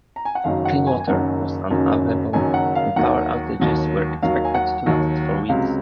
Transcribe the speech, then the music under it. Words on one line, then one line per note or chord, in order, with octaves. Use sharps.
Clean water was unavailable, and power outages were expected to last for weeks.
A#5
G#5
F#5
F#1 F#2 D#3 F#3 F5
F#5
G#5
G#5
F#1 F#2 D#3 F#3 F#5
F#1 F#2 D#3 F#3
F#1 F#2 D#3 F#3 G#5
F#5
F5
D#2 D#3 F#3 F#5
D#2 D#3 F#3
D#2 D#3 F#3 F5
G#5
F#5
D#2 D#3 F#3
C#2 C3 F#3 F5